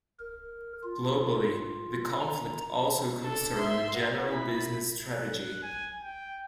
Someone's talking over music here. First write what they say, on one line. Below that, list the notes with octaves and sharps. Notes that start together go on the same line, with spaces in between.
Globally, the conflict also concerned the general business strategy.
A#4
F4
A#5
D4 A4
E5 C6
B3
E4 B5
F#6
G#5
G5